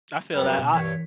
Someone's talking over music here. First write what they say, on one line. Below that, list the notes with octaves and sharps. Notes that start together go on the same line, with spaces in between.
I feel that. I
F#2 G3 B3 F6
B2
G2 E3 A#4 C#5 B6